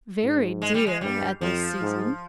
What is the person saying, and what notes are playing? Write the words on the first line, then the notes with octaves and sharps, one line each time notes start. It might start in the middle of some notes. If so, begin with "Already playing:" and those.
"Very dear at this season."
G#2
G#3
G3
G#3
G2 G3
F2 F3
G#2